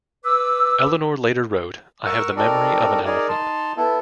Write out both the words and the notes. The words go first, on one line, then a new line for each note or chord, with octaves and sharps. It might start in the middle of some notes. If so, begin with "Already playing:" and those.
Eleanor later wrote, I have the memory of an elephant.
B4 D6 E6
A#4 F#5 C#6 E6
C4 D#4 F#4 A4 A#4 D5
D#4 G#4 A#4 D5
D#4 A5 C6
B3 E4 A4